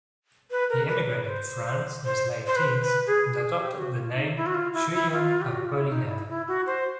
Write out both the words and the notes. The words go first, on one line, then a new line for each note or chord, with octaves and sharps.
He emigrated to France in his late teens and adopted the name Guillaume Apollinaire.
B4
A#4
B4
B4
C5
C5
C5
B4
B4
G#4
G#4
G4
F#4
F4
D#4
E4
F#4
F4
E4
E4
F4
G4
F#4
F4
E4
D#4
E4
E4
F#4
C5